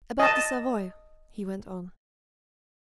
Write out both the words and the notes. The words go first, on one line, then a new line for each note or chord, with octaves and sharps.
"About the Savoy," he went on.
D#5 A5